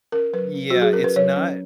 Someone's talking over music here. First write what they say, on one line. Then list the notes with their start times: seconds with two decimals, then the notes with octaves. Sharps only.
Yeah, it's not
0.12 C#4 A#4
0.33 F#3 B4
0.54 C#4
0.70 F#3 F#4
0.82 G#4
0.93 C#4 A#4
1.04 B4
1.16 F#3 C#5
1.37 C#4